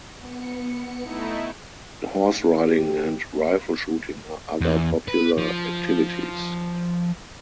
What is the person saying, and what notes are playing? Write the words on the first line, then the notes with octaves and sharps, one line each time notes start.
Horse riding and rifle shooting are other popular activities.
B3 C#7
A3 D#4 E4
G4
E2
B4
F3